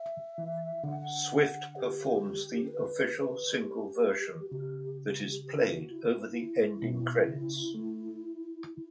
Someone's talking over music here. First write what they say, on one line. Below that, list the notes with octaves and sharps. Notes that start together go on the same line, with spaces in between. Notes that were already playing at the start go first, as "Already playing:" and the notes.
Swift performs the official single version that is played over the ending credits.
Already playing: E5
E3
D3 F#5
F#5
G4
B4
B4
G4
F#4
C#3 G4
G4
F#4
E4
F#4
E4
E4
B2
C#3
A3